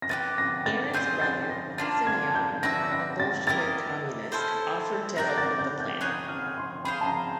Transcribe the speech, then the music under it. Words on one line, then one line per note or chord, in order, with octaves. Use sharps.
Aaron's brother, Semion, a Bolshevik communist, offered to help with the plan.
A#6
B3 E4 G4 A6
A#6
A6
C4 F4 G#4 C5 G6
A6
A#6
A#3 D4 F4 A6
G#6
G6
D4 F#4 B4 E5 A#6
A#6
A6
E4 G4 A#4 D#5 A6
C#4 E4 A4 C5
F#4 A#4 D5 G5 A#6
A6
G6
G6
D#4 G#4 C#5 F#6
F6
C6
G#4 C5 F5 B5
A5
A#5